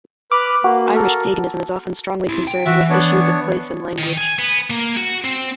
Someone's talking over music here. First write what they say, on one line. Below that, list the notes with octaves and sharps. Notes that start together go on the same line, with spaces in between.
Irish Paganism is often strongly concerned with issues of place and language.
B4 D6 F6 F#6
A#3 F#4
A4 A#4
E4 G4
G5
E3 F#4 E5
B3 D4 C#5
D#3
G#5
B3
A#3
F#4
C4